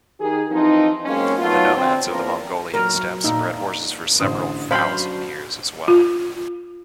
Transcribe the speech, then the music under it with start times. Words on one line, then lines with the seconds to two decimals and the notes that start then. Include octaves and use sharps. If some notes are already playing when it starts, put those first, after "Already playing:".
The nomads of the Mongolian steppes bred horses for several thousand years as well.
0.20 D#3 D#4 G4 G#4
0.51 E3 F3 C4 D#4
1.05 F#3 G#3 A#3 C4 C#4
1.39 F#3 A3 B3 D#4 F4
1.76 D3 C4
2.10 E2 F3 A#3 C4 A#4
2.74 A#2 F#3 A#4
3.24 A#2 B3 D4 D#4 E6
4.20 A1 D3 C5 D#6
4.71 F#2 D4 F#4 C5 F5 A5 B5
5.88 F4